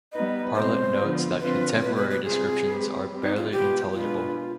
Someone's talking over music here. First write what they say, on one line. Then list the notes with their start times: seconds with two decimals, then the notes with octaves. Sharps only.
Parlett notes that contemporary descriptions are "barely intelligible".
0.12 G3 B3 D#4 B4 D#5
0.55 B2 G#3 C4 C5
0.97 D3 F3 B3 F4
1.40 D3 F3 C4 F4 B4
1.81 B2 G#3 B3 B4
1.96 B4
2.11 B4
2.24 C3 G3 C4 F4 G#4
2.66 G#3 C4 G4 B4
3.09 G3 C4 G4
3.23 D#4
3.37 F4
3.51 B2 B3 F4 G4 B4
3.93 B2 G#3 D4 F4 G#4 B4